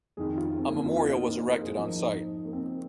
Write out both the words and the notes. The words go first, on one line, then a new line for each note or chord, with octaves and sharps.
A memorial was erected on site.
F2 D#3 G#4
F4
C4
A#3
C4
F4
F4
D#4
A#3
D#4
A#4
G#4
G#2 F3 D#4
A#3
C4